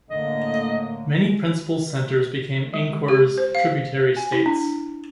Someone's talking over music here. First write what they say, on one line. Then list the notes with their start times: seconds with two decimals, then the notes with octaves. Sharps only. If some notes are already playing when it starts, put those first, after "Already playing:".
Many principal centers became Angkor's tributary states.
0.10 A2 D3 A#3 D#5
2.74 G#3
3.08 G4
3.38 C5
3.55 F5
4.16 G#5
4.32 E4
4.46 D4